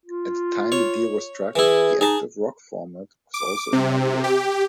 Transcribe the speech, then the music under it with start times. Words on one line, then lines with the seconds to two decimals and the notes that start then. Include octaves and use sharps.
At the time the deal was struck, the active rock format was also inaugurated.
0.06 F4
0.72 C#5
1.56 E3 E4 G#4
2.01 D#4 G#4 A5
3.34 D6
3.73 C3
4.24 G4